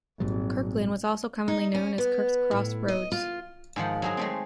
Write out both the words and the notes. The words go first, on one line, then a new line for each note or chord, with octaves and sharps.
Kirklin was also commonly known as Kirk's Cross Roads.
G#1 A#2 F#3 G3
D#4
C#4
B3
A2
D#5
F4
G#2 D#3 F3 F#5
F#3 G#3 G#4
G#3 A3 C4